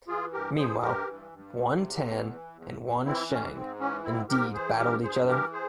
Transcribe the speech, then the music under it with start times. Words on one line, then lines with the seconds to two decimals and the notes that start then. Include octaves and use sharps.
Meanwhile, Yuan Tan and Yuan Shang indeed battled each other.
0.08 E3 F4 G#4
0.33 G2 G4 A#4
0.57 G2 G#4 C5
0.82 E3 G4 A#4
1.08 G2
1.32 G2
1.57 C3
1.82 E2
2.06 E3
2.31 E3
2.56 E2
2.80 E2
3.05 E3 C4 E4
3.30 G#2 C#4
3.55 G#2 C4
3.80 E3 C#4
4.04 G#2 C4 E4
4.29 G#2 G4 A#4
4.54 E3 G#4 C5
4.78 G2 G4 A#4
5.03 G2 G#4 C5
5.28 E3 G4 A#4
5.53 G#4 C5